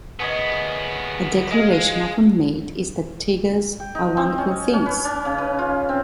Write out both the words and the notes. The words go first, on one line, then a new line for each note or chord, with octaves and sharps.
A declaration often made, is that Tiggers are wonderful things.
D2 B3 G#4 C#5 D#5
G#3 G#4 D#5 F5
G5
D#4
C4
C#4
C#4
B4
C#4
C#3
B4
F4
C4